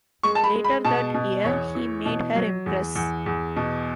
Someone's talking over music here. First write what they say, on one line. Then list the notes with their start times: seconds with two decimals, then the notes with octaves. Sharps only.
Later that year, he made her empress.
0.23 G#3 C#6
0.35 A5
0.44 B5
0.54 G#3
0.64 B5
0.85 B2 A5
1.14 B2
1.44 E2 C#5
1.75 E3
2.06 B2
2.35 F#3
2.66 E2
2.95 E2
3.26 E2
3.56 B2